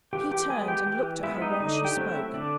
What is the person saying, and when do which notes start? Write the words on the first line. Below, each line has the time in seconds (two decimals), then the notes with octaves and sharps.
He turned and looked at her while she spoke.
0.13 E3 G4 G5
0.31 G4 G5
0.50 G#3 B3 G#4 G#5
0.68 G4 G5
0.86 E3 G4 G5
1.23 G#3 B3 E4 E5
1.42 D#4 D#5
1.60 D3 D#4 D#5
1.85 G4 G5
1.97 F#3 A3 C4
2.09 E4 E5
2.33 D3 D4 D5